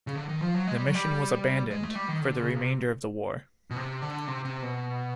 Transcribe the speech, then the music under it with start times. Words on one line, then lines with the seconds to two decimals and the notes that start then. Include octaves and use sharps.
The mission was abandoned for the remainder of the war.
0.07 C#3
0.16 D3
0.29 D#3
0.41 F3
0.54 F#3
0.67 G#3
0.76 G3
0.86 F#3
0.95 G3
1.71 G#3
1.83 A3
1.95 G3
2.09 D#3
2.21 D3
2.39 C#3
2.56 C3
3.71 B2
3.76 C3
4.02 D3
4.28 C3
4.45 C3
4.62 B2